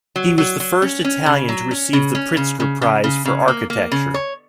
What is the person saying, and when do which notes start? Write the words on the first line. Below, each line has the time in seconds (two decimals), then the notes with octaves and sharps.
He was the first Italian to receive the Pritzker Prize for architecture.
0.16 F#3
0.38 F#3
0.60 F#3
0.82 C#4
1.04 C#4
1.26 C#3
1.49 F#3
1.71 C#4
1.93 C#3
2.15 C#4
2.37 C#3
2.60 C#3
2.82 C#3
3.04 C#3
3.25 C#3
3.48 A#3
3.70 A#3
3.92 C#3
4.14 C#5